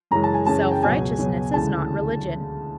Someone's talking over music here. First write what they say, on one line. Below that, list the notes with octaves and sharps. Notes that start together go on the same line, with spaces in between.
Self-righteousness is not religion.
F#2 C#3 E3 G#3 A#5
A5
G#5
F#2 C#3 E3 G#3 A5
G5
C#2 B2 F#3 G#5
C#2 B2 F#3
D2 C#3 E3 G#3 A5